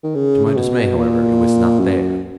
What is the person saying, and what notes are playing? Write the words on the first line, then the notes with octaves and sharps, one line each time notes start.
To my dismay, however, it was not there.
D#3
C#3
C#3
B2
A#2
F#2